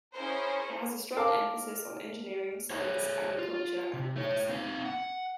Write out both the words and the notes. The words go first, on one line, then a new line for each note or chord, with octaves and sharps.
It has a strong emphasis on engineering, science, agriculture, and medicine.
C#4 E4 G#4 A#4 C5
A#4 F5 A5 D6
G#4 C5 C#5
F4
C3
A3 C#5
C4 D#4 F5
F#5